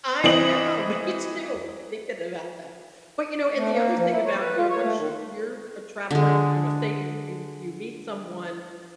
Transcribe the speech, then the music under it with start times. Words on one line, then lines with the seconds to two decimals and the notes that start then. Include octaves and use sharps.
I know! Me too, I'm thinking about that. But, you know, and the other thing about, you know once you you're a traveler and, you know, say you you you meet someone,
0.24 E3 C4 D#5 F#7
3.56 A3
3.73 A#3
3.97 F3
4.12 E4
4.26 C#5
4.40 B4
4.57 F4
4.69 C#5
4.81 A3
4.97 D#3
6.11 D3 G#3